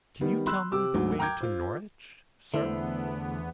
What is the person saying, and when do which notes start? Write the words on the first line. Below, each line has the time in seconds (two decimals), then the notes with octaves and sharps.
"Can you tell me the way to Norwich, sir?"
0.21 D#3 G3 B3
0.46 B5 C6 E6 F#6
0.72 C3 G4 D6 E6
0.94 D2 G#2 F#3
1.19 G5 A#5 D6 G6 G#6
1.41 F4 C5
2.54 E2 D3 A3 B3 E4 C5 E5